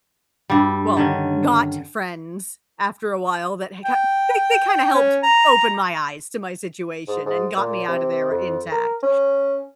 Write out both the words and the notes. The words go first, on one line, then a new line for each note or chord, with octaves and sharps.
Well, got friends after a while that had ki they they kinda helped open my eyes to my situation and got me out of there intact.
G2 G3
D3 D#3 C#4
G5
C#4
A#5
G#2
G#2
A#2
C3
F2
A#4
C#4